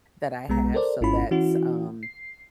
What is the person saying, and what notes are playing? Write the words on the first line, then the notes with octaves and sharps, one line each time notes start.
that I have, so that's, um
B1 G#3 B3 A#5
A4 A#4 C5 D5
G#1 G#2 C#4 E4 F4 B5
E3 C#4 E4 F#4
C7